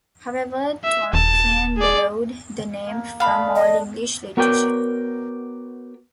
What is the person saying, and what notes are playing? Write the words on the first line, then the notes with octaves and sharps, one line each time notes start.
However, Tolkien borrowed the name from Old English literature.
E5
D#1 A5
G#4 D5
A#3
D3 B3 D4 F5 B5
D#5
B3 F#4 A#4 C#5 D5 G5